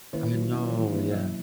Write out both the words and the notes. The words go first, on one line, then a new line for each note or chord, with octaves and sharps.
I know, yeah.
D#3 A#3 C#4 E4 B4
F#3
A#3 C#4 E4
E3
D#3 F#3
E3 A#3 C#4 E4
B2 F#3